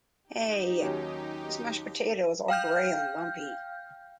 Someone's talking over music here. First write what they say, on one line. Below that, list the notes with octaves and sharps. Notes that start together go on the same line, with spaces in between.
Hey! This mashed potato is all grey and lumpy!
D#4 G4
D#2 F#3 C#4
F5 G5 F6 G6